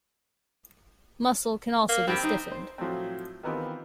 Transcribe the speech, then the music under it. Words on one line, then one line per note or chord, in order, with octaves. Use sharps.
Muscle can also be stiffened.
A#3
G2 C4 G4
D#4
C5
A2 F3 F#3 A3 C4
D#3 E3 B3 C4 F4 G4